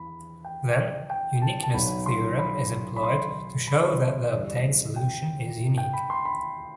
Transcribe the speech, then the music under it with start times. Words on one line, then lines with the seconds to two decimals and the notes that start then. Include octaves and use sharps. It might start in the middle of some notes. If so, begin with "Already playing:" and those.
Then, uniqueness theorem is employed to show that the obtained solution is unique.
Already playing: E2 E3 B5
0.45 G5
1.10 G5
1.42 A5
1.63 A5
1.74 B1 B2 F#3 B5
2.06 C6
2.39 B5
2.96 B5
3.03 C6
3.67 B5
4.33 E2 D3 G3
4.96 G5
5.78 G5
5.93 B5
6.10 C6
6.25 B5